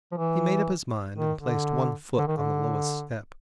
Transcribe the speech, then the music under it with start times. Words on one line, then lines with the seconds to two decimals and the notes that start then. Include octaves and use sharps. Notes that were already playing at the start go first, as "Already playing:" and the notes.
He made up his mind, and placed one foot on the lowest step.
0.11 F3
0.17 E3
1.18 D#3
1.38 D3
2.18 D3
2.27 D#3
2.37 D3